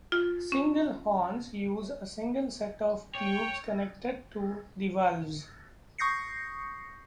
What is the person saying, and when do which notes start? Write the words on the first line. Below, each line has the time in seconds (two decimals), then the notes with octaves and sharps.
Single horns use a single set of tubes connected to the valves.
0.12 F4
0.52 C#4
3.15 C#5 G5
5.98 C#6 D#6 G6 A#6 C7 C#7